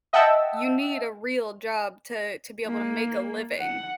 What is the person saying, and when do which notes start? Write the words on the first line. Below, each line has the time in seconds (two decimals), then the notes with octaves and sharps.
you need a real job to to be able to make a living.
0.13 D#5 E5 F#5 G5 A5 E6
2.67 A#3
3.59 F#5